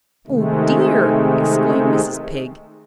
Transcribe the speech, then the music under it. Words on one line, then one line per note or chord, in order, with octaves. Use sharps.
"Oh dear!" exclaimed Mrs. Pig.
C3 D#3 G#3 A3